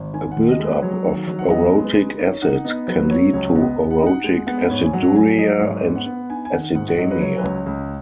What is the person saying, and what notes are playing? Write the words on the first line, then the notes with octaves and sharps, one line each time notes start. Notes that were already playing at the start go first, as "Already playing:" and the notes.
A buildup of orotic acid can lead to orotic aciduria and acidemia.
Already playing: G#1
D#3 G#5
F#5
D#2
D#5
G#3
B4
F#3 C#5
D#3
F#3
F#5
B3 D#5
G#3
B4
D#4
D#4 C#5
D#4 F#5
B3 D#5
F#3 B4
F#3 C#5
C#2 C#5
B3 D#5
B3
F#5
D#5
D#4 F#5
G#3 F#5
B3 F#5
G#2 C#5
G#5
F#3 F#5
F#3 G#5
F#3 D#5
G#2 C#5
B3
F#5
B3
D#4 G#5
G#5
D#3 F#5
G#2 F#5
F#5
F#3 D#5
B4
F#3 C#5
B4
C#2 C#5
C#2